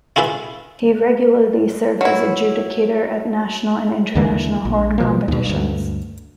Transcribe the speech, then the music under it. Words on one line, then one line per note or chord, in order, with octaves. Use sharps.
He regularly served as adjudicator at national and international horn competitions.
E4 F4 G#4 B4 E5
F#3 E4
D#2 D3 E3 A#3
A#1
B2 F3 A#3
D#2 B2
D2 G2